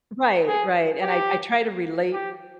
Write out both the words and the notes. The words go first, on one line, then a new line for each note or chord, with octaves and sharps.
Right, right, and I I try to relate
G#4
G4
G4